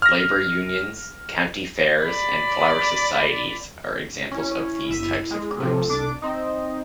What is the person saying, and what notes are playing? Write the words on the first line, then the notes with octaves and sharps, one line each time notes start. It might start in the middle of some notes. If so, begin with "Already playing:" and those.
Labor unions, county fairs, and flower societies are examples of these types of groups.
F6 A#6
D5 B5
C#4 E4
G1 E5 D#7
G#3
A2 C3 F3 A4
C2 D4 D6
C4 D#4 D#5